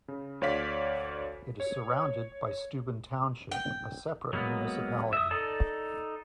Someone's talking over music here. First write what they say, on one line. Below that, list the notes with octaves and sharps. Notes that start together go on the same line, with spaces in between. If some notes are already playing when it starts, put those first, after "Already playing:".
It is surrounded by Steuben Township, a separate municipality.
C#3
D2 C#5 D5 F5 B6
C#5
G5
F#3 G#3 A#3 B3
E5 D#6
D#4 A4 D5 A5